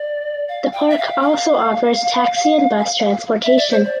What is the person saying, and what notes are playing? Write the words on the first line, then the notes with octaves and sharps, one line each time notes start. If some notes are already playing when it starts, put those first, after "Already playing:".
The park also offers taxi and bus transportation.
Already playing: D5
F5
G5
E5
F5
F5
E5
D5
C5
D5